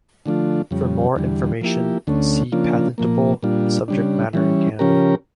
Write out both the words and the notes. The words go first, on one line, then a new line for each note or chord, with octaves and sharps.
For more information see patentable subject matter in Canada.
D3 F3 A3 D4 F4
F2 C#3 G3
E2 D3 G3
F3 A#3 E4 G4
D2 D3 A3 C#4
C#3 F3 A#3 D4 F4
A#2 F3 A#3
A#2 G3 D4 F4
C#3 G3 D4
E3 G3 C#4
C#3 F3 C#4 G4 A#4